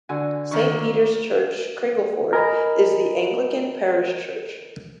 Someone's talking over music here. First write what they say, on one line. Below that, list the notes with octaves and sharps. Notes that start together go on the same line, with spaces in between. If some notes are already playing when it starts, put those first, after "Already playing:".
Saint Peter's Church, Cringleford is the Anglican parish church.
D3 F#4 G#5
D3 D#3 A#3 C#6
A#4 D#5 G#5 A#5 B5